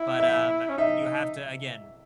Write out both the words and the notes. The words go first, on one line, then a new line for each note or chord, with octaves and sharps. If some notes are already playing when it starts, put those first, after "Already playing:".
But, um, you have to again,
Already playing: E4
E5
C#4
D#4 E5